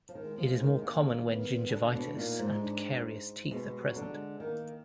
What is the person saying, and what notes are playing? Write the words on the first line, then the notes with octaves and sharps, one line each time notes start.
It is more common when gingivitis and carious teeth are present.
F3
D#3
G#3
F3
G#3
D#3
D#3 A#3
B3
D3 D4
B2
A#2 D#4
G#2
D4
B2 G#3
F#3
D3
G#3
D#3 A#3